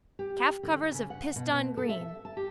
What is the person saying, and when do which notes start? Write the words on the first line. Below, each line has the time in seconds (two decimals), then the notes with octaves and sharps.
Calf covers of pissedon green.
0.19 G4
0.63 D3
0.82 D2
0.94 C#3
1.10 F#5
1.36 B2
1.52 B2
1.77 A4
1.89 E5
2.25 A5
2.37 G4